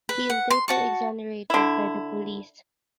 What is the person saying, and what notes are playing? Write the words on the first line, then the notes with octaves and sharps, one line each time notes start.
He is later exonerated by the police.
B4
F#5
C6
F#4 A5 C#6
D3 E4